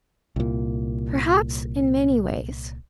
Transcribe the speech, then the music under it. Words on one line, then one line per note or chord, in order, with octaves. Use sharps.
Perhaps in many ways.
C2 A#2